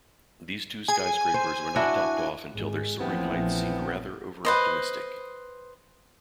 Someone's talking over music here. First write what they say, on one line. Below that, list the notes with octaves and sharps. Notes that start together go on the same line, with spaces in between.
These two skyscrapers were not topped off until their soaring heights seemed rather overoptimistic.
G#4 G#5
C5
D4 E4 F#4
G#1 G#3
A#1 A2 E3 F3 B3 C4
B4 C5 D#5